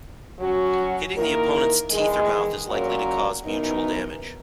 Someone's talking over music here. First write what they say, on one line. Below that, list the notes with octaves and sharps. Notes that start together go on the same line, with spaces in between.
Hitting the opponent's teeth or mouth is likely to cause mutual damage.
F#3 C#4 F#4
D#3 A#3 E4 A#4
E2 D#3 G#3
A#2 F#3 C#4 F#4 A#4
F#2 E3 B3 D#4 A#4